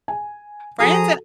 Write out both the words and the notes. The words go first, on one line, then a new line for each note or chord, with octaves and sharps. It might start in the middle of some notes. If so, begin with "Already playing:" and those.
Friends and
G#5
F3 F#4 G#4 A4 A#5 D#6